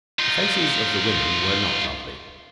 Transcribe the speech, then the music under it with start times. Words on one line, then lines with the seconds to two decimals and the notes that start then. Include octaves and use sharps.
The faces of the women were not lovely.
0.19 D#4 F4